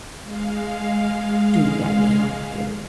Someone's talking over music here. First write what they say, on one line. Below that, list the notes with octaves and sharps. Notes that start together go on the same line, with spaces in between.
"Do let me help you."
G#3 F5